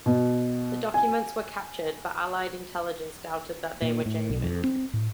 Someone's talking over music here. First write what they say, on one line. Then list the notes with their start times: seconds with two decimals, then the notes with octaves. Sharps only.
The documents were captured but Allied intelligence doubted that they were genuine.
0.06 B2
0.94 G#5
3.82 A#2
4.06 A2
4.30 B1
4.44 F2
4.64 C4
4.93 A2